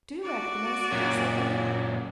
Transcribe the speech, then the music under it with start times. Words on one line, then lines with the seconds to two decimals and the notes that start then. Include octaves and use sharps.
"Do you recognize him?" said he.
0.23 F#4 D5
0.92 F#2 A#2